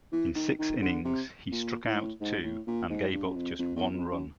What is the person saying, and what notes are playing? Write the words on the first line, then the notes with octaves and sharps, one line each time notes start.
In six innings, he struck out two and gave up just one run.
E3
D#3
D#3
D3
C3
A#2
A2
G#2
A2
A#2
G#2
G2
F#2
F2
F2
E2
F2
F#2